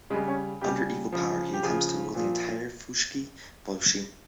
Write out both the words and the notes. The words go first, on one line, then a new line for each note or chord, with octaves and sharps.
Under evil power, he attempts to rule the entire Fushigi-boshi.
C#3 G3 G#3
C#4
C#3 G3 G4
C#3 F3
G4
C#3 F3 G#4
A#2 F3